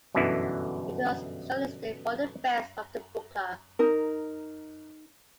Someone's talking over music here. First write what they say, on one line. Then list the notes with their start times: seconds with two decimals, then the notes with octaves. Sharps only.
It was shortlisted for The Best of the Booker.
0.14 G1 F#2 B2 D3 E3 E4
3.79 D#4 A#4